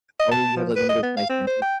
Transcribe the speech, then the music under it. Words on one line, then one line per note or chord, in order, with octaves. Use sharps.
Oh, you have, like, one of those nice vintage
D#5
A5
F3
B4
D#5
B3
F5
C4
C5
G5